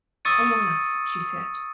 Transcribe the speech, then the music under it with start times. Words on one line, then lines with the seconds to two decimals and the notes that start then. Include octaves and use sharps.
"Alas!" she said.
0.25 C#6 D#6 E6 A6 C#7 D#7